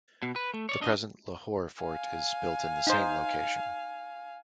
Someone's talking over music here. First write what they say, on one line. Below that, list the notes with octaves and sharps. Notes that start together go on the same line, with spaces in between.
The present Lahore Fort is built in the same location.
B2
B4
A3
C#5 D5
D4 D#5
F5 G#5
D#4 C5